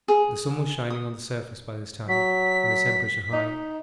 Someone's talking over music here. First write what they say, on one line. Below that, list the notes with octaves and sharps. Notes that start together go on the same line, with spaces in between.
The sun was shining on the surface by this time, and the temperature high.
G#4
D#6
F#3 B6
D#4